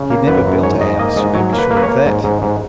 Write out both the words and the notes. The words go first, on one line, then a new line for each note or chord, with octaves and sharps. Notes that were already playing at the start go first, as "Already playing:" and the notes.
He never built a house, you may be sure of that.
Already playing: C#3
A#3
F#2 B4
F#2
G#2 C#5
G#2 D#5
A#3 D#5
G#2 D#5
F#3 C#5
A#3
B4
A#3
B4
C#5
A#3
G#2
G#2
G#2